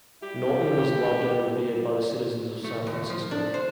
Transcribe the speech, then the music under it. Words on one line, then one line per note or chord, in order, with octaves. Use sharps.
Norton was loved and revered by the citizens of San Francisco.
G3 E4 G4
A3
D#2
F3
D4
C5